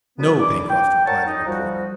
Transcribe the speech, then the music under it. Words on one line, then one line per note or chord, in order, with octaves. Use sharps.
"No, Pencroft," replied the reporter.
D2 F#3 B3
D4 E4 D6
G5
A#4 C#5 D5 F#5 A5
D#4
F3 G3 F#4